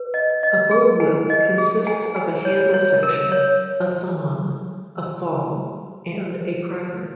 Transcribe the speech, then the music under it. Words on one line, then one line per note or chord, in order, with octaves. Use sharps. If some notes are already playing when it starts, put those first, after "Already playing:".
A bullwhip consists of a handle section, a "thong", a "fall", and a "cracker".
Already playing: B4
D#5
D#5
G#4
G#5
D#5
G#4
G#5
G#5
C#5
C#5
A#4
C#5